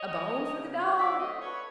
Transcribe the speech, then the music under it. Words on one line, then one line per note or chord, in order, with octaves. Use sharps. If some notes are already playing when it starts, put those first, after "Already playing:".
A bone for the dog?
Already playing: C#5 D#5
F3
F3
C#3
F#3
C4 D5 E5
A3 C#5 D#5
A3 B4 C#5